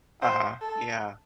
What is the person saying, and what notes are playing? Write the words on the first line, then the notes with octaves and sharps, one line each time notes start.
Uh-huh, yeah.
C5
A4